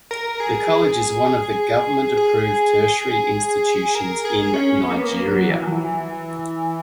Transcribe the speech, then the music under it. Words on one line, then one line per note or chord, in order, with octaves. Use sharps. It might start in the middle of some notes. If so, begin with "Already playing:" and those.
The college is one of the government approved tertiary institutions in Nigeria.
A#4
G#4
G#4
A#4
G#4
C#4
B3
A#3
B3
A#3
F#3
E3
F#3
E3